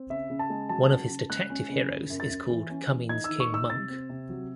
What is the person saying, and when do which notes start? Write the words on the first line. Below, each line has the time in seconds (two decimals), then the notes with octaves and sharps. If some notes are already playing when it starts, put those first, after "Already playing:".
One of his detective heroes is called Cummings King Monk.
Already playing: C4
0.10 C#3 E5
0.30 C#3
0.39 A5
0.50 G#3
0.69 F#3 A5
0.90 C#3
1.09 C#3
1.29 G#3 F#6
1.50 C#4
1.70 C#3
1.89 F#2
2.10 F#2
2.20 A6
2.30 F#2
2.50 E3
2.70 C#4
2.90 E3
3.09 D#4 G#6
3.24 D#3 E6
3.40 C#6
3.50 D#4 E6
3.69 C3 A6
3.89 C4
4.09 C3
4.29 F#3